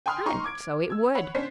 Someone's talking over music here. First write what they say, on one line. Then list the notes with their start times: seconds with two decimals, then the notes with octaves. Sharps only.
And so it would.
0.06 G5 G#5 B5 C6 D#6 F6
0.26 D#4 A#5 C6 C#6
0.44 D6 G#6 D7
0.90 E6 G#6
1.15 C#5 F#5 B5
1.35 C#4 D4 C5 B6 C7